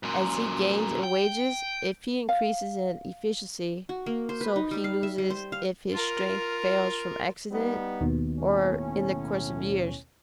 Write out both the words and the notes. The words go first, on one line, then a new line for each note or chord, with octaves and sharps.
As he gains in wages if he increases in efficiency, so he loses if his strength fails from accident or in the course of years.
F#2 A#2
G5
F5
F#4
A#3
C5
B4
D#4
G3
F5
E5
G3
C5
F5
F4 A#4
G3 B3 D#4
D#2 B2
A2 C#4